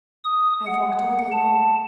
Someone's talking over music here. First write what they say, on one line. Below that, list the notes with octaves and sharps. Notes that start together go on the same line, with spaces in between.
I have walked all day long.
D#6
F#5
A5